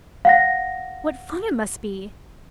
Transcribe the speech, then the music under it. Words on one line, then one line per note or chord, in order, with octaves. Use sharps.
"What fun it must be!"
F5 F#5 A#6